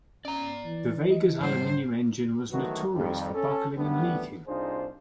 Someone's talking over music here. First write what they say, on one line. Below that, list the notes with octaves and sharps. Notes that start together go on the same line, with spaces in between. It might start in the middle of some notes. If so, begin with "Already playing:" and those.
The Vega's aluminum engine was notorious for buckling and leaking.
C#4 D5 A#5
E3
E4 D#5
G#2 D#3 G3 C5 F#5
D#3 E3 F#3 A3 B3 F#4
F2 D#3 G3
C#4 A4
F#2 D3 G3 A3 B3
C2 D4 D#4 F4 G#4 C5